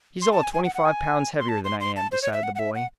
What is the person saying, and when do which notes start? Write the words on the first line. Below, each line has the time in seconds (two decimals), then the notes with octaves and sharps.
"He's all of twenty-five pounds heavier than I am," decided the boy.
0.22 C6
0.33 A5
0.43 G#5
0.53 G#5
0.65 F#5
0.75 F#5
0.85 G#5
1.39 C6
1.49 A5
1.64 C6
1.80 C6
1.96 A5
2.12 C5
2.22 C#5
2.33 E5
2.43 F#5
2.55 F#5
2.59 E5
2.75 F#5